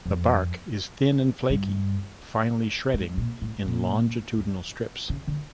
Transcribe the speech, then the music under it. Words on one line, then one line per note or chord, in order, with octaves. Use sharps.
The bark is thin and flaky, finely shredding in longitudinal strips.
F2
G2
G#2
A#2
A2
A#2
C#3
D3